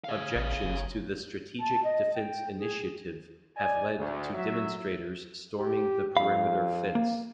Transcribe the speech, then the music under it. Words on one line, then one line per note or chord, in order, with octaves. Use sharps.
Objections to the Strategic Defense Initiative have led to demonstrators storming the perimeter fence.
C#5 F5
A1
F#1
A5
D#5
G5
G#4
D5 D#5 G#5
D2
F#3 E5
G4
F2 F5 B5
A#3